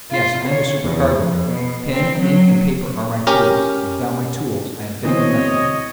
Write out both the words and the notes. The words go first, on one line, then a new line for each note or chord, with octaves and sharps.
"Yes; I am a supercargo; pen, ink, and paper are my tools, and without my tools I am fit for nothing."
F4
C#5
E2
F2
B2
C4
F#3
C#4 G4 A#4
D2 B2 E3 C4 C#5 D#5